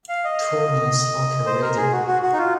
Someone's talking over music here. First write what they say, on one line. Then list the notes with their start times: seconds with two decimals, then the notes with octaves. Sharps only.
Turn on Slacker radio.
0.09 F5
0.24 D#5
1.46 C5
1.62 A#4
1.77 G#4
1.92 F#4
2.07 F#4
2.22 F#4
2.33 D#4
2.38 F4